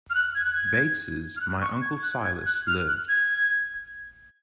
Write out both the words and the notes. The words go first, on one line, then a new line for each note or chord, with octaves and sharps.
Bates's "My Uncle Silas" lived.
F6
F#6
G#6
F#6
G#6
F6
F#6
C#6
G#6
F#6
G#6
F#6
F6
F#6
G#6